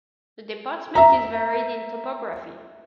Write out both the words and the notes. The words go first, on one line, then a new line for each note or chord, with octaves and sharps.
The department is varied in topography.
E5 A#5